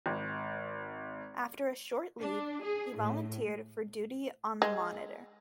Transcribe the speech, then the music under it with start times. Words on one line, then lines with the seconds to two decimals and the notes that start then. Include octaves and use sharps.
After a short leave, he volunteered for duty on the "Monitor".
0.06 G#1
2.20 D4
2.63 G#4
2.97 A2
4.62 G#3